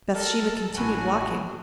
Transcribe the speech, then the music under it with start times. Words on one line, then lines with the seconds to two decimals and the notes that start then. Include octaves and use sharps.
Bathsheba continued walking.
0.15 A4 A#4
0.77 A1 G2 A#2 E3 F#4 G#5